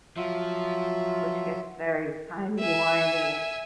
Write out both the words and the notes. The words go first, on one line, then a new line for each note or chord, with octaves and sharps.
which gets very timey-wimey.
F3 F#3 F4 E5
E5 G#5